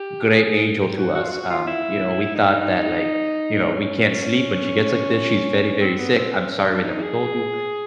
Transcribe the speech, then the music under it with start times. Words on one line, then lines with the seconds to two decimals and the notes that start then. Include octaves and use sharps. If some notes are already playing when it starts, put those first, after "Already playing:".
great angel to us." Um, you know, "we thought that like" you know, "we can't sleep when she gets like this. She's very, very sick. I'm sorry we never told you."
Already playing: G4
0.29 G#4
0.46 G#4
0.81 G4
0.98 F#4
1.15 F#4
1.24 F4
1.31 F#4
1.50 F4
1.67 E4
2.35 D#4
3.73 C#4
5.81 C4
5.98 B3
6.15 C4
6.32 C4
6.49 C#4
6.67 D4
6.84 D#4
7.02 G#4